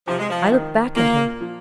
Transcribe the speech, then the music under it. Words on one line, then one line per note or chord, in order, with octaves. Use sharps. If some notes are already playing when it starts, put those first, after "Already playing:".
I looked back at him.
C3 F3
G#3
F3
D#3
A#2 A#3
F3